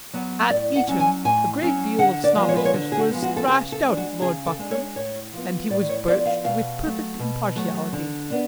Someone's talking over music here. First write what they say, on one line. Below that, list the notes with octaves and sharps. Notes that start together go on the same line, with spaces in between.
At Eton, a great deal of Snobbishness was thrashed out of Lord Buckram, and he was birched with perfect impartiality.
F#3 B3
A2 D5
F#5
F#3 C#4
G#5
A2 G#5
F#3 C#4
D3 F#5
D5
F3 G#3 B3
C#5
B4
C#5
D3
G#4
F#4
F3 G#3 B3
F#4
A4
C#3 G#4
A4
G#3 D4
F#4
C#3 G#4
A4
G#3 D4
C#5
A2 C#5
F3 B3
A2 D5
C#5
F3 B3 D5
F5
B2 F5
F#3 A3
B2
F#3 A3
D3
B3 D4